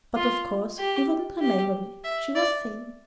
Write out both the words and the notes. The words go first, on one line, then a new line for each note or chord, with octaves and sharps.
"But of course you wouldn't remember me," she was saying.
F4
G4
G4
E5
D5